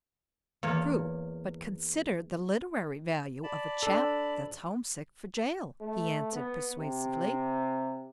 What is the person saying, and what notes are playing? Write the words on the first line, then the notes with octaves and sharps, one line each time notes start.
"True--but consider the literary value of a chap that's homesick for jail," he answered, persuasively.
E2 A#3 C#5
D5 A5 B5
D4 A4
A3
B3
C3